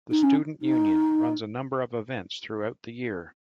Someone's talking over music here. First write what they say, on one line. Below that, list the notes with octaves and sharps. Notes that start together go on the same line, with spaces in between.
The Student Union runs a number of events throughout the year.
D#4
C#4
D#4